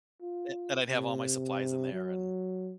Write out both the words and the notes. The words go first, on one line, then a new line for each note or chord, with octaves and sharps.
and and I'd have all my supplies in there, and
F4
C3
F#3